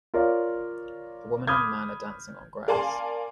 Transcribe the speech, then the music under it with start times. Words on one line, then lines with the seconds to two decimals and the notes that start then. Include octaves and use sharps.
A woman and man are dancing on grass.
0.14 F4 A#4 C#5 D5
1.47 B5 D6 D#6 F6 G6 G#6
2.68 A#4 D5 F5 G#5 A5 C6